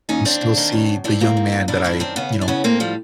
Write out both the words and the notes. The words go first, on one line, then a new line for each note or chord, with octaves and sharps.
and still see the young man that I, you know,
D#2 C#4 D#4
D#2 C4 D4
D#2
D#3
C#3
F#2
E3 C4 D4
F#2 A#3 C4
G#2
G#2
G#2 D4 E4
D#3 D4 E4
F#2 C4 D4
C#3 B3 C#4
E3
D4
C#3 B3 C#4
A2 A#3 C4
F3 G3